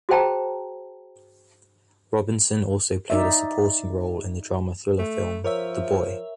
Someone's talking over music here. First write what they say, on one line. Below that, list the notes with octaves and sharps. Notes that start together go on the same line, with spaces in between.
Robinson also played a supporting role in the drama thriller film "The Boy".
F#4 G#4 C5 G5 A5 A#5
D#4 D5 E5
A3
F3 A#4 C#5 E5